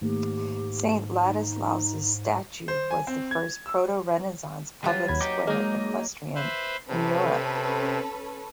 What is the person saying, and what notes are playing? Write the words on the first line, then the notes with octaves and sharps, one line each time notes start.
Saint Ladislaus' statue was the first proto-renaissance public square equestrian in Europe.
G#2 D#3 A3 A#3 G4
D#4
C5
G#5
C4
G#6
E6
F#3 G3 F4 B4
D#2 B5 G#6
D#4 G4 D6
G#3 A#3 D#4 A#4
B4 C5 E5
C3 C#4 A4 B4